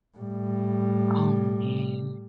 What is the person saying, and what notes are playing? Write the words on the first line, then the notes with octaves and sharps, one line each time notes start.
Oh, man.
A2 G3